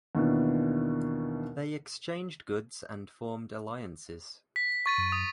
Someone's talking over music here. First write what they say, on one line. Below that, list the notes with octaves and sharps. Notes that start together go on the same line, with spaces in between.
They exchanged goods and formed alliances.
D#2 B2 E3 B3 D4
B6
C#6 A6 D#7
F#2
D#6